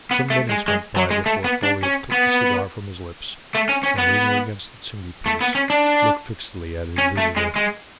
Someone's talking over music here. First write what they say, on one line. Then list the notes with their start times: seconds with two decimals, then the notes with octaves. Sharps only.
Some minutes went by before Folliot took the cigar from his lips and leaning against the chimneypiece looked fixedly at his visitor.
0.11 B3
0.30 A3
0.49 G#3
0.68 G#3
0.96 F#3
1.11 G#3
1.26 A3
1.44 B3
1.63 D4
1.83 C#4
2.12 B3
3.55 A3
3.69 C#4
3.83 C#4
3.98 B3
5.26 A3
5.41 B3
5.55 C#4
5.70 D4
6.98 C#4
7.17 A3
7.36 G#3
7.56 G#3